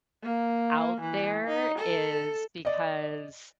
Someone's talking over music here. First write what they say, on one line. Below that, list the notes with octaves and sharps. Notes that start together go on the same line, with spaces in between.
out there is because
A#3
E3
D#4
A4
D5 D#5